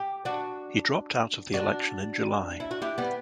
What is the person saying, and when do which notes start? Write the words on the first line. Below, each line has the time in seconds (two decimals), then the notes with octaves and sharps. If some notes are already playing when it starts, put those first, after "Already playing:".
He dropped out of the election in July.
Already playing: G4
0.25 D4 F#4
1.54 D4 F#4
2.60 E4
2.71 F#4
2.82 E4 G4
2.98 G3 B3